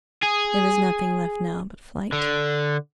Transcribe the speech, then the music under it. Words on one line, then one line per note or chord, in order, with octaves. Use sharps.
There was nothing left now but flight.
G#4
D3